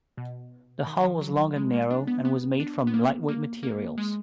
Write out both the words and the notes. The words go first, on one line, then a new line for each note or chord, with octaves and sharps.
The hull was long and narrow and was made from lightweight materials.
B2
D#3
F3
F#3
G#3
A#3
D4
B3
B3
D4
B3
A#3
A#3
A#3
G#3